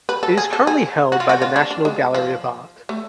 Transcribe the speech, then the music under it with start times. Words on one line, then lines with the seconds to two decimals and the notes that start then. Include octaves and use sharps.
It is currently held by the National Gallery of Art.
0.09 B4
0.23 A4
0.38 G#4
0.53 A4
0.67 G#4
1.12 F#4
1.20 F4
1.29 F#4
1.42 F4
1.56 D4
1.71 D4
1.85 G#3
2.15 F3
2.89 A3